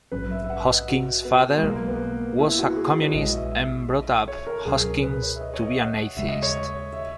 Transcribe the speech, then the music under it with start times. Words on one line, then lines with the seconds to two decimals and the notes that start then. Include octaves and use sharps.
Hoskins' father was a communist and brought up Hoskins to be an atheist.
0.12 A#1 G#2 F#3 C#4 B4
0.31 E5
0.44 E5
0.50 F#5
0.69 D#5
0.88 F#4
1.25 B3
1.57 G#3
1.63 B1 B2 F#3 A#3
1.76 A#3
1.88 B3
2.39 E4
2.58 F#4
2.76 G#4
2.89 B4
3.02 C#5
3.14 A#1 A#2 G#3 D#5
3.33 E5
3.51 E5
4.28 C#5
4.47 A#4
4.65 C#2 B2 F#3 C#4 G#4
4.84 A#4
5.03 B4
5.22 C#5
5.36 E5
5.41 D#5
5.54 C#5
5.63 D#5
5.66 E5
5.78 F#5
6.17 D#2 C#3 G#3 E5
6.29 D#5
6.43 C#5
6.93 E5